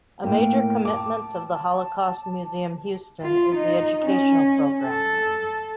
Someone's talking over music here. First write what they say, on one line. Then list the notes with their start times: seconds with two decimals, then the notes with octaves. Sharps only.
A major commitment of the Holocaust Museum Houston is the educational program.
0.24 A2 A#3 G5
0.85 A5 D6
3.22 F4
3.55 D#4
4.04 C#4
4.82 A4